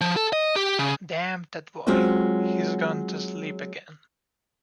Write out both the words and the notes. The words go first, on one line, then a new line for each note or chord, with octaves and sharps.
Damn that boy; he’s gone to sleep again.
F3
A4
D#5
G4
C#3
F#3 G#3 C4 C#4 F4 F#4